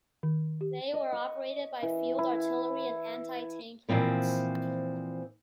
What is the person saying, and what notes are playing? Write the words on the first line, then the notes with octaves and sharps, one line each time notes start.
They were operated by field artillery and anti-tank units.
D#3
G4
D#5
C#6
E3
E4
A#2 E3 F3 C4 B4